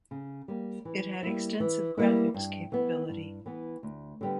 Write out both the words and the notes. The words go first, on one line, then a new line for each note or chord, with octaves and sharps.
It had extensive graphics capability.
C#3
G3 A#3
E3
G3 A#3 E4
E3
G3 A#3 E4
G2
E3 B3
G2
E3 B3
D2
D3 G3 B3